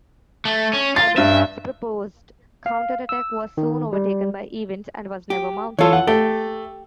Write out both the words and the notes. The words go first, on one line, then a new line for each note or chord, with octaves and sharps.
Eberbach's proposed counter-attack was soon overtaken by events, and was never mounted.
A3
C#4
F4 A6
G2 E5
F5
E6
D#3
G3
G4
E3 F4 A4 C#5
F#5
A3 G4